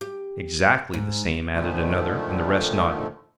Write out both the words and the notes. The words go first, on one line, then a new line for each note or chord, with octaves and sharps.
"Exactly the same," added another, and the rest nodded.
G4
G#2
A#2 D3 D#3 F3 A3